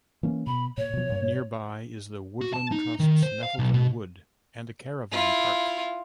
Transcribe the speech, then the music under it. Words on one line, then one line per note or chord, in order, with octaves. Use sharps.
Nearby is the Woodland Trust's Nettleton Wood, and a caravan park.
E3 A#3 C#4
B2 B5
A#2 C#5
B2 F3
G2 A#2
F#4
A5
D#4
D#3
C5
F5
B1
B2
E4 F4